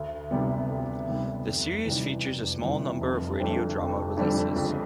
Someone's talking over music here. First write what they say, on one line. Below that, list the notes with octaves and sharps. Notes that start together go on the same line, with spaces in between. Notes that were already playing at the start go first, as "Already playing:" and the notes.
The series features a small number of radio drama releases.
Already playing: D2
C3 D#3 G3 B3
D2
C3 D#3 G3 B3
F1
E2 C3 D#3 G3
F1
E2 C3 D#3 G3
F1
F2 D3 G3 C4
F1
F2 D3 G3 C4
C#2